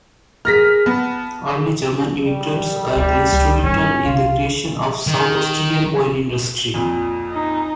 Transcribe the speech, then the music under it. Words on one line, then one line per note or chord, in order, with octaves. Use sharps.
Early German immigrants were instrumental in the creation of the South Australian wine industry.
G#4 A#4 F6 A#6 B6
B3 A5
G3
D2 G3
C#2 F3
G2 C#4
C2 F4
D#3
F2 A#2
D#4